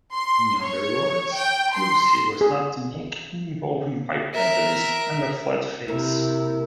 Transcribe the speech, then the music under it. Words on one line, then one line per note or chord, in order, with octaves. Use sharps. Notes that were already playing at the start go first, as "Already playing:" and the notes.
In other words, Lucy was not unique in evolving bipedalism and a flat face.
C6
C#5
G5
C6
G#4
A#4 E5
C3 A#3 E4 A#4 A#5